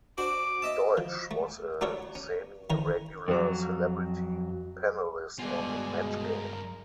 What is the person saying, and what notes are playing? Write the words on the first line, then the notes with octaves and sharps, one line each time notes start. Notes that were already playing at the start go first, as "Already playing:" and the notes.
Deutsch was a semi-regular celebrity panelist on "Match Game".
D4 F#4 C5 D6
D#5 E5 A5
F3
A3
A3 D4 F#4 A4 A#4 C#5
C#4
D#3 E3 C#4 A#4
F2 F#3
G2 B2 G#3 F4 D5 G#5
A#4